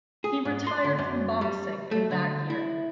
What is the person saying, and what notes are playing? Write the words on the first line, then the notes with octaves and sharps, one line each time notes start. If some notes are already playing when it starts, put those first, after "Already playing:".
He retired from boxing in that year.
G#4
G#2
C6
D3
F#2
G3
A3
D3
E4